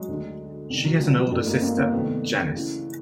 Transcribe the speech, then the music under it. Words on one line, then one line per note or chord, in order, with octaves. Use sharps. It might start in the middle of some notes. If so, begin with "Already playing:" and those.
She has an older sister, Janis.
Already playing: F#3 G#3
D2 D3
C2 C3 D#3
F#3
F3 G3
F#3 G#3
G2 E3 G3 A3
G#3 A#3
A#3 C4
A#3 C4
C2 C3 D#3 A3 B3
C#2 C#3 E3